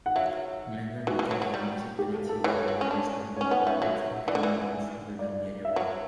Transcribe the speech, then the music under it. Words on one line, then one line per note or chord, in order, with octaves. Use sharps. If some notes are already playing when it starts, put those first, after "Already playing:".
Glendale became the municipality with the largest number of ethnic Armenians other than Yerevan.
F#5
F#3 E5
E3 F#4
E3
F#3
F#3
G3
G4
A4
A4
E3 C#5
F#3
C#4
D4
C#4 C#5
B3 F#5
G3 E5
F#3 E5
E3 D5
D3
E3
D5
E5
F#3